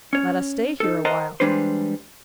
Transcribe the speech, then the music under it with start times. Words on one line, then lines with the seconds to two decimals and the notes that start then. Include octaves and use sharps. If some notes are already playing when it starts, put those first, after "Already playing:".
Let us stay here awhile.
0.13 C#4 C#5
0.80 D#4 A4
1.05 A#4 C5 D#5 F#5 A5
1.40 E3 G3 G#3 D4 B4 C5